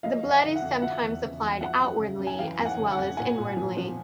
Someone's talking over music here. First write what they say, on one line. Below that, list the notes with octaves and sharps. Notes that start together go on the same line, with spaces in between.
The blood is sometimes applied outwardly as well as inwardly.
F3 D#5 F5
F2
E5 F#5
D3
E5 F#5
F2
F3 E5 F#5
E2
C#3
E2
F3 E5 F#5
F#2
C#3
F#2
G#5
E3 F5 G5
F2
F#5 G#5
C#3
F#5 G#5
F2
A#2 F#5 G#5
A#2
F3
F3